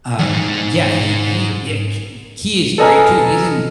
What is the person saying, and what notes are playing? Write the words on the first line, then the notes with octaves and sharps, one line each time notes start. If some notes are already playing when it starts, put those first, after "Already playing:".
Uh, yeah, he he yeah, h he is great too, he's in
E2 G#2
A4 B4 D#5 G#5 A#5 F6